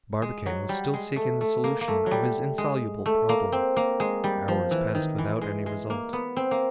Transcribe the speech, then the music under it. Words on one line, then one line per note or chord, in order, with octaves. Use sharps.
Barbicane was still seeking the solution of his insoluble problem. Hours passed without any result.
G#3
F#3
G3
G#3
A3
A3
A#3
A#3
A3
F#3
G3
G#3
A3
A#3
C4
A#3
G#3
G3
F3
E3
D#3
E3
G#3
G#3
A#3
B3
C4
A#3